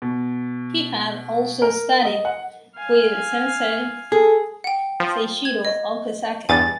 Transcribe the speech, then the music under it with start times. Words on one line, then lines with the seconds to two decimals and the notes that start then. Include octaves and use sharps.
He had also studied with sensei Seishiro Okazaki.
0.02 B2
1.62 A#4
2.05 D#5
2.25 F#5
2.76 F5 G#5
4.12 G#4 A4
4.64 F#5 G5
5.00 F3
5.45 G#6
5.65 D#5
6.49 E2 G2 G#5 A6